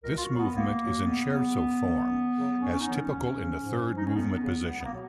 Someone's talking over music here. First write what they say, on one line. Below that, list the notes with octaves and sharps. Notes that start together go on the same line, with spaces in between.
This movement is in scherzo form, as typical in the third movement position.
C#2 A#4
F4
F#4
B2 F#3
B3
C#2 A#3
B2 F#3
F2 B3
C#3 F#3
F#2
D#3 F#3
F#2
C#3 F#3
F2 C#4
C#4
D#4
D#3 F#3 B3
C#4
D#2
C#3 F3
G#2
F3
D#4
C#4
F2 B3
C#3 F#3
C#2 B3
B3
A#3
B2 F#3